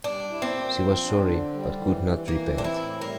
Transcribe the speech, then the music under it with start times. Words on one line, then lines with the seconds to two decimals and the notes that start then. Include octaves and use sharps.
She was sorry, but could not repent.
0.04 G3 D4
0.30 E4
0.42 C4
0.54 A#2
0.79 F3
1.04 D4
1.28 D3
1.53 G3
1.78 E3
2.03 E3
2.27 E3 A#3
2.52 C4
2.58 D4
2.64 E4
2.76 A2
3.01 G3 A#3